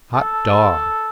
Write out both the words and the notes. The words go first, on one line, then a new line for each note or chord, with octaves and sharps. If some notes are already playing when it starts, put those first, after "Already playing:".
Hot dog!
A4